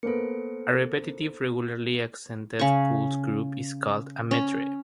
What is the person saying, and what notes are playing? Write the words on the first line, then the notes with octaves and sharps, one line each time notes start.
A repetitive, regularly accented pulse-group is called a metre.
A#3 B3 A4 C5 C#7
C#3 C#6
C#4